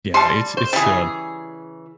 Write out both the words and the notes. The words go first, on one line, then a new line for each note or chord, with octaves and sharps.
Yeah, it's it's, uh
G3 A5 C6
C5
C#3 E3 G3 G#4